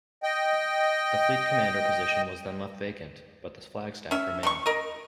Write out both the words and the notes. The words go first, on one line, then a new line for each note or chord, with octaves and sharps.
The fleet commander position was then left vacant, but the flag staff remained.
D#5 G5
C#4 E5
A3 C#6
A#4 D#5